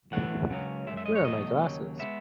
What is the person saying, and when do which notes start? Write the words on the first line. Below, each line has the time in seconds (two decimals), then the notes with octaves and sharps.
Where are my glasses?
0.12 A2 E3 A3 F#5
0.50 C#2 C#3 F#3 C#4
0.87 F#2 E3 G#3 E5
0.97 E5
1.06 D#5
1.15 C#5
1.25 E2 B2 F#3 A3 D#5
1.63 D#2 C#3 F#3
1.99 C#3 G#3 B3 E5